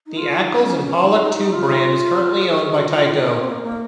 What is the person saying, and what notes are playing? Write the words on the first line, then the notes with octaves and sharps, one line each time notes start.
The Accles and Pollock tube brand is currently owned by Tyco.
D#4
F4
F4
D#4
C#4
C#4
F4
D#4
D#4
D#4
F4
G#4
A#4
G#4
F#4
F4
D#4
C4
A#3
A#3